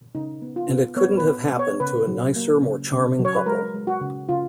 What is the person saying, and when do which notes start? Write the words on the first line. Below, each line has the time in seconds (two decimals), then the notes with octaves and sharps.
And it couldn't have happened to a nicer, more charming couple.
0.15 C#3 D#4
0.42 B3
0.56 F4
0.69 B3
0.97 B3 C#5
1.17 B4
1.25 B3
1.52 B3
1.59 C#5
1.80 C#3 B4
2.07 F#3
2.36 A#3
2.63 C#3
2.91 C#3
3.19 F#3
3.25 C#5
3.35 B4
3.46 G#3 A#4
3.74 G#3
3.87 F#4
4.01 C#3
4.29 C#3 F4